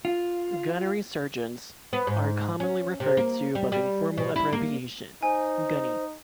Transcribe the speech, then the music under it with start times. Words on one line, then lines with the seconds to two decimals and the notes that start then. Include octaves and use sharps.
Gunnery sergeants are commonly referred to by the informal abbreviation "gunny".
0.05 F4
1.93 B3
2.07 G#2
2.60 C#4
3.00 C3
3.17 A#3
3.55 G3
3.72 G3
4.18 B2
4.36 E4
4.53 A#3
5.23 D#4 C5 G#5